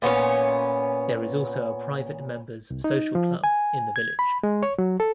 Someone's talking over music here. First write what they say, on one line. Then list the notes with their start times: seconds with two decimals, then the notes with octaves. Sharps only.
There is also a private members social club in the village.
0.02 A#2 B3 C#4 C#5
2.70 C2
2.84 D#4
3.15 F3
3.44 G#5
3.96 G#6
4.19 B5
4.43 G#3
4.63 C#5
4.78 F#3
5.00 A4